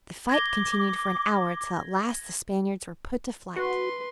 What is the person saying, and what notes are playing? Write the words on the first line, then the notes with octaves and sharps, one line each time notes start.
The fight continued for an hour, till at last the Spaniards were put to flight.
D6 G#6 A#6 G7
F#4 B4 C6